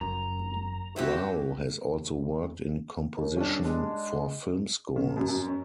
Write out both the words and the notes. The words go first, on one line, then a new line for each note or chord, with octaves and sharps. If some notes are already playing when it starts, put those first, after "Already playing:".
Rao has also worked in composition for film scores.
F#1 F#2 A#5
E3 C4 F#4 G4
D#2
G3 C#4 D4
G#3
C#3
F#2
F#2
C#4